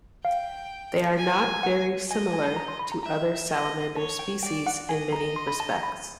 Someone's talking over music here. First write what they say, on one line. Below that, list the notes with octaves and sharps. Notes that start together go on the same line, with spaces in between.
They are not very similar to other salamander species in many respects.
F5 G5
G#5
F#5
D#5 G#5
G#5
A5
A#5
C6
B5
A#5
E5 A#5
D#5
C#5 A5
G5
D5 G5
F#5
D#5 G#5
A#5
C6
B5
A5
A#5
B5